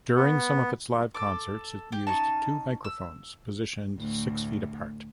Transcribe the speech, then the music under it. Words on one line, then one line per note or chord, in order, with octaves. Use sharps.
During some of its live concerts, it used two microphones positioned six feet apart.
B3
A4 D6
G4
C#4 D#4 A5
E6
D2 A2